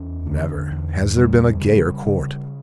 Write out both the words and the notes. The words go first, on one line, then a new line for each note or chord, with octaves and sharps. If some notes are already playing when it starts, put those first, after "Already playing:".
Never has there been a gayer Court.
Already playing: E2 C#4
D3
E2
C#3 G3
C#3
C#3